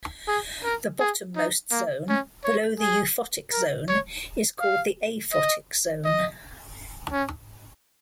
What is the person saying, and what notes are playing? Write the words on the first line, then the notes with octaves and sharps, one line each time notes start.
The bottommost zone, below the euphotic zone, is called the aphotic zone.
G#4
A#4
G#4
D#4
A#3
C#4
C#5
G#4
A#4
C#5
F5
D#5
D#5
C#4